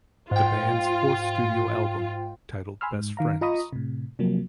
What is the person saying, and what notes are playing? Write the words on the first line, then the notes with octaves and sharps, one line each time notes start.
The band's fourth studio album, titled Best Friends?
G#2 F4 G5
G#5 B5 C6 E6 F6
G#2
D#3 F5 A#5
F4 D#5 A#5 B5 C#6 D#6
A2 C3
C3 F3 F#3 A#3